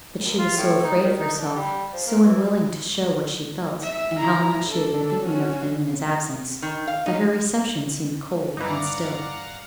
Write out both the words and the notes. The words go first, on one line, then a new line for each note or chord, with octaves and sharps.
But she was so afraid of herself, so unwilling to show what she felt, and how much she had been thinking of him in his absence, that her reception seemed cold and still.
D#2
F4
A2
D#4
D#3
D#4
D4
G3
F3
A#3
E3
E5
E4 A#5
D4 A4
C#4 F#4
D#3
F5
D#4
G2 E3 D#4 D5 F5 F#5 A#5 D6